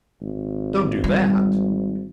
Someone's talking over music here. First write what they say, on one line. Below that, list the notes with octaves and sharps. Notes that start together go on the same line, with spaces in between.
"Don't do that!"
G#1
G3